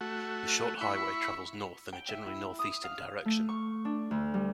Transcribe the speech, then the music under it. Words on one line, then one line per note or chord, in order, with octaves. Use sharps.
The short highway travels north in a generally northeastern direction.
A3 F#4
E4 B5 C#6
G5
E5
E4
D#6
F5
A3
C#6
D4
D2
G3